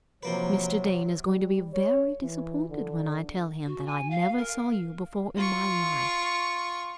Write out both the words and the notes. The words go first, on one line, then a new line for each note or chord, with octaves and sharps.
Mr. Dane is going to be very disappointed when I tell him that I never saw you before in my life....
C3 F3 F#3 A#3 B4
G3
C#5
E3
D3
F#4
G#5
F5
A#4
F4 C#6